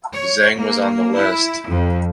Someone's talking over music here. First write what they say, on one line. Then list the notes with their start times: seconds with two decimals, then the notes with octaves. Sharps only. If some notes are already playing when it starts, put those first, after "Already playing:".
Zheng was on the list.
0.14 C#5
0.58 A#3
1.18 E4
1.70 F2